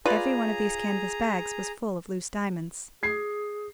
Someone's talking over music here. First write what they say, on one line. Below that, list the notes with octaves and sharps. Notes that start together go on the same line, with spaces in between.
Every one of these canvas-bags was full of loose diamonds.
F4 G#4 B4 D5 A#5
G#4 G#6 C7